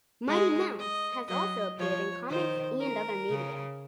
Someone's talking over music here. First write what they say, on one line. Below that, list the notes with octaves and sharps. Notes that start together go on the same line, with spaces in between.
Mighty Mouse has also appeared in comics and other media.
G#3
D#5
F#3 D#5
F3 C#5
D#3 C5
A#4
C#3